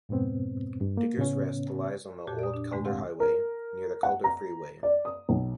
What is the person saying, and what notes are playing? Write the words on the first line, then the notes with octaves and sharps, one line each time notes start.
Diggers Rest lies on the Old Calder Highway, near the Calder Freeway.
F2 G#2 B2 B3 C4
G2
A#3
A2 C#3 B3 C#4
F2 A#2 F#4 G4 A5
D5 D#6
D4
E2 G#2 D3 G#3 A3
C4 G4 F5 F#5
A#4
F#5
A#5
D5
D#6
B1